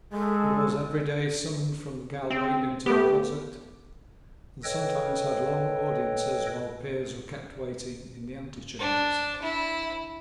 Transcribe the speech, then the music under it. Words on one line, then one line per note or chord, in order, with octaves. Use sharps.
He was every day summoned from the gallery into the closet, and sometimes had long audiences while peers were kept waiting in the antechambers.
G#3 A4
C4
A3 B3 G4
A4 B4 C#5 D#5 G5
D4
E4